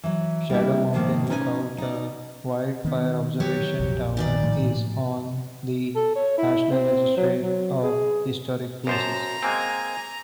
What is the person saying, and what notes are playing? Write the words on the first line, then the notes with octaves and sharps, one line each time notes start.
Shadow Mountain Lookouta wildfire observation toweris on the National Register of Historic Places.
E3 F#3
G3 A#3 D4 E4
G#2 D#3 F3 A#3
C#4 D#4 B4 D5 D#5 G#5
D#4 D5
D#3 B3
F#3 G4 C#5
A#1 F2
A#2 D#3 D5
A2 F3 A#3
A4
C#5
E4
C4
F#3
F#3
G#4
F#2 C5 A5 A#5
G#3 A#3 C4 G#5